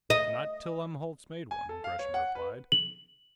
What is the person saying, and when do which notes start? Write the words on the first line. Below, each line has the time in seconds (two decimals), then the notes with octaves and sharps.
"Not till Umholtz made one," Gresham replied.
0.10 D#5
1.51 G#5
1.69 A4
1.84 F5
1.99 C#5
2.14 F#5
2.35 B4
2.72 F#7